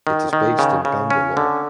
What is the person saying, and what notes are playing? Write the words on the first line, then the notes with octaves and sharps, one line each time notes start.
It is based in Bangalore.
D#3
D#3
C#3
C#3
C#4
D3